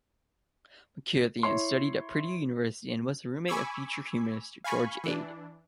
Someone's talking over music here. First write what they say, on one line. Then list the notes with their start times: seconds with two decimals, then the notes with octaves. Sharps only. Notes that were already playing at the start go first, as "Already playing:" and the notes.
McCutcheon studied at Purdue University and was a roommate of future humorist George Ade.
1.43 E4 C#5 C6
3.48 G#5 B5 C#6 D6 E6 G#6
4.64 F5 G#5 B5 C#6
5.04 E3 D4